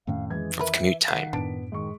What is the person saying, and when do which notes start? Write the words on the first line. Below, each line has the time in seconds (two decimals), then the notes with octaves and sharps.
f of commute time,
0.07 F2 A2 D#3 C#4 F5
0.30 E3 G#3 G#6
0.59 A#4 B4 E5
1.08 D#3 F5 F#5 B6
1.33 F#2 A2 B3 D4 D7
1.72 D#3 G#3 C#6